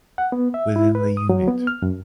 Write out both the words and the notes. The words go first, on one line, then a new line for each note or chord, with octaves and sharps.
Within the unit.
F#5
B3
E5
E4
B4
D#6
F#3
B3
F6
F#2